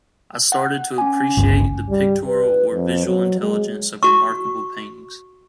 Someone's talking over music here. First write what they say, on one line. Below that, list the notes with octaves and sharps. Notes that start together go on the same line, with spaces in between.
I started to appreciate the pictorial or visual intelligence of remarkable paintings.
F#5
C#4 G#5
G1 C#2
G3
B4
F2
F#3
G#3
F#4 C#6